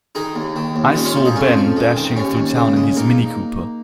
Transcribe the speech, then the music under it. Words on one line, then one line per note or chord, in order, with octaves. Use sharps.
I saw Ben dashing through town in his Mini Cooper.
D#3 D#4 G#4
D#2
D#3
D#2
G#3 C#4 F4
C#4 F4
F3
D#4 G#4
F2 C#4 F4
F3
G#3
D#3
D#2 C#4
D#2
C#3
G#3
A#3 D#4